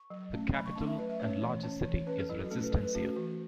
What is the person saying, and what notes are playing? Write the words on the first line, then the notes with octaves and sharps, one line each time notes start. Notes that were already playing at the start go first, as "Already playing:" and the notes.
The capital, and largest city, is Resistencia.
Already playing: C#6
F#3
A3 C#4
F#3 B5
C#6
A3 C#4 A5
E5
F#3 B4
E5
A3 C#4 C#5
C#5
E3 C#5
C#4 C#5
E3 C#5
C#5
C#4 B4
A4
F#3 E4
F#4
A3 C#4 A4
B4
F#3 A4
B4
A3 C#4 F#4
F#4
E3 F#4